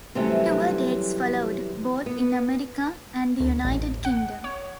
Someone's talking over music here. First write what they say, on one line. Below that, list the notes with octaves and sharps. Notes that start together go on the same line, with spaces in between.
Tour dates followed, both in America and the United Kingdom.
C3 E3 F#3 G3 A3 C#4
B3
D2
A1
F#5
C#5